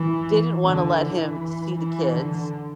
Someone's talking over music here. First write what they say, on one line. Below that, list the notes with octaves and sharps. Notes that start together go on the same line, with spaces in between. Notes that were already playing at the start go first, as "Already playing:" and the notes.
didn't want to let him see the kids,
Already playing: E3
D3
E3
E3
D3